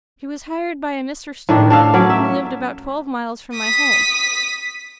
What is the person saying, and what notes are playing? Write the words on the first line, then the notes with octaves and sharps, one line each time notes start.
She was hired by a Mr. Stewart, who lived about twelve miles from my home.
A2 D#3 D4
D4 A4 F5
F#3 C#4 D5
E5
D#6 B6